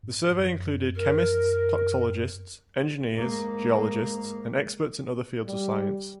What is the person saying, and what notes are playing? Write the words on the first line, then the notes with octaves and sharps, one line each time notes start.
The survey included chemists, toxicologists, engineers, geologists and experts in other fields of science.
G#2
F#2
A#4
G#2 A#3
G3